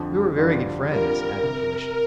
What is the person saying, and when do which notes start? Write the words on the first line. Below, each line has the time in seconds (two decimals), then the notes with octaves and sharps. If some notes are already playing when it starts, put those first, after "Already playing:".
"We were very good friends," added Felicia.
Already playing: F2 D3 F3
0.36 F2 D3 G3 D4 F4
0.90 D3 G3 C4 F4 A#4
1.44 C3